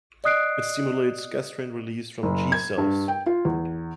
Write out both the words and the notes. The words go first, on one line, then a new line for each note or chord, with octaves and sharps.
It stimulates gastrin release from G cells.
D5 D#5 D#6 F#6 C7 D7
F#1
G#6
G2
G5
F4
E2